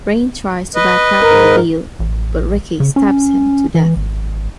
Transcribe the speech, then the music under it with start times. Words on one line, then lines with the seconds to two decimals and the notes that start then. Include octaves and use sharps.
Reign tries to back out of the deal but Ricky stabs him to death.
0.75 B4 D#5
1.22 G#2 A#4
2.00 A1
2.80 C#3
2.96 C#4
3.75 E3
3.96 G#1